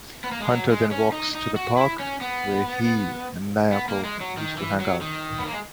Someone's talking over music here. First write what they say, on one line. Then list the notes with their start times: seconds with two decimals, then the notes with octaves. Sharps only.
Hunter then walks to the park where he and Nayako used to hang out.
0.24 B3
0.32 A#3
0.40 G#3
0.48 F#3
0.70 G#3
0.91 C#4
1.12 D#4
1.35 D#4
1.56 F#4
1.77 E4
1.99 C#4
2.21 B3
3.73 B3
3.88 A#3
4.04 G#3
4.21 F#3
4.37 D#3
4.58 E3
4.80 F#3
5.01 D#3
5.39 B3
5.46 A#3
5.52 G#3